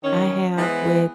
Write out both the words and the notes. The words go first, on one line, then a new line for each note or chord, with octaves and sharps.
I have with
D#3 C#4
E3 G#3 B3 C5 D#5